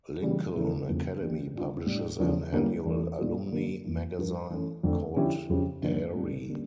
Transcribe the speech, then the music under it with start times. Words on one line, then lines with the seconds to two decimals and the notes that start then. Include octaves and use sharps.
Lincoln Academy publishes an annual alumni magazine called Aerie.
0.22 C#3 E3 G3
0.54 E2 C#3 F3 A3 E4
0.88 F2 C#3 F3 A#3
1.21 E3 A#3 D4 G4
1.54 C#3 G3 D4 F4
1.86 A2 G3 D4
2.19 E2 C#3 F3 C#4
2.52 D3 G3 A#3 C#4 E4
2.85 E2 E3 A3
3.19 A#2 G3 D4 F4
3.52 D3 F3 A#3
3.84 F2 E3 A#3 E4
4.18 G2 F3 C#4 F4 A#4
4.50 E3 A3 C#4
4.83 F2 D3 A3
5.16 D3 F3 C#4 E4 G4
5.49 F2 C#3 F3 C#4 G4
5.83 G2 D3 F3 A#3
6.15 A2 G3 D4 A4
6.48 D3 G3 A#3 C#4